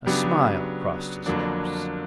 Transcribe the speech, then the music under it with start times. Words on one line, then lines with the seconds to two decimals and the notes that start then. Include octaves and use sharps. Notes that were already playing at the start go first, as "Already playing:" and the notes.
A smile crossed his lips.
0.06 C#3 F#3 B3 D4 G4
1.26 F2 D3 F#3 A#3 D4